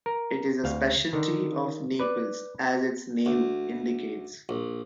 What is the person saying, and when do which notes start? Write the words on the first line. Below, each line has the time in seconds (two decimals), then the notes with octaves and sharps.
It is a speciality of Naples, as its name indicates.
0.06 A#4
0.64 D2 F5
1.13 D3 D#3
1.99 B4 D5
3.26 D2
4.49 A#1